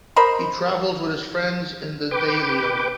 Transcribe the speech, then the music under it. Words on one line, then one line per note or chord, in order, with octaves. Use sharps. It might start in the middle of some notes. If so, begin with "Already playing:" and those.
He travels with his friends in the Daileon.
A#4 C5 D#5 B5
B4 G5 D6